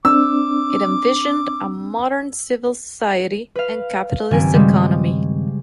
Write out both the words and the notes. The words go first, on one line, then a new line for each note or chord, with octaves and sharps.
It envisioned a modern civil society and capitalist economy.
C4 D4 D6 E6
B4 F5
F#1 G2 D#3 C4 G#5 D7
C#3 G3 G#3